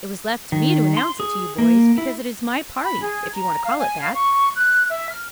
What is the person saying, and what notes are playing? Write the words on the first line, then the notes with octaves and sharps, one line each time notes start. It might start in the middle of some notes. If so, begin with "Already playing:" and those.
It was left to me to announce it to you boys, because it is my party, if you want to call it that.
D#3
C6
G#4
A#3
E4
B5
G#4
A#5
F5
G#5
F5
C#6
F#6
E5
F6